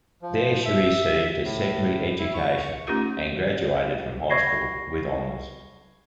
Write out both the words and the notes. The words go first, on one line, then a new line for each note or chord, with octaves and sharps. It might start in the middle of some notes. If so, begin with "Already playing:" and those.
There she received her secondary education and graduated from high school with honors.
F3
E5
A2
E4
C#6
A3 C#4 D#4 F4 G4 A#4
B5 C#6 G#6 A#6 C7